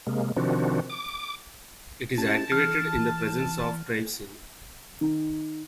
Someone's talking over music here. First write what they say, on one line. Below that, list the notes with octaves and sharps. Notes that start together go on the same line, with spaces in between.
It is activated in the presence of trypsin.
C3 G#3 A#3
C3 D#3 F3 C4 D4 F#4
D6
C#4 E4 G4 A5
E3 F6
D#3